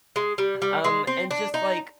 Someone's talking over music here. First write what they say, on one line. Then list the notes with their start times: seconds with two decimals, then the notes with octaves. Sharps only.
Um, and just like,
0.16 G#3
0.38 G3
0.62 G3
0.84 G#3
1.07 C4
1.31 D4
1.54 D#4